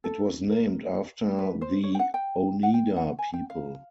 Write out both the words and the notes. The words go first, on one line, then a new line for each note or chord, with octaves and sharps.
It was named after the Oneida people.
A4
A#4
B4
C5
C#5
G5
F#5
G5
F#5
G5
F#5
G#5
G5
F5